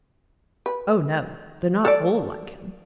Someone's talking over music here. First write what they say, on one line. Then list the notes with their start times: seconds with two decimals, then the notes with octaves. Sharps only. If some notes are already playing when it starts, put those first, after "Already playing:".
"Oh no; they're not all like him."
0.66 B4
1.85 A4 D5